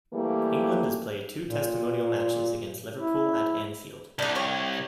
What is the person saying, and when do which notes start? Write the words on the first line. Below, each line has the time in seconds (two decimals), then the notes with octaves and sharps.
England has played two testimonial matches against Liverpool at Anfield.
0.13 E3 G3 A3 A#3
1.49 A#2
2.98 E4
4.19 C2 D4 D#4
4.35 G4 A#4 C#5